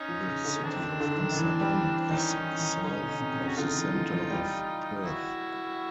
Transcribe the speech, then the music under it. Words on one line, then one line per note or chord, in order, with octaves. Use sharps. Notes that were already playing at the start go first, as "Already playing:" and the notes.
The city of Amsterdam is south of the center of Perth.
Already playing: C#4 D#4
F3
C#3
D3
D#3 C4 D4
D#3
D3
D#3
D#3
E3
G3
D#3 C#4 D#4
E3
D#3
D3 C#4 D#4
B2
C3
C3
C#3
F#4
D3 D#4 F4
E3
F3
F3
G3
E4 F#4